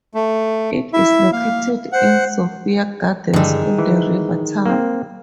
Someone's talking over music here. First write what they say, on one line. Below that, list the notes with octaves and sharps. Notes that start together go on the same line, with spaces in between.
It is located in Sophia Gardens on the River Taff.
A3
E4 E5
A#3 F5
C5 F#5
G2 D3 D#3 G#3
E3
A#3 C4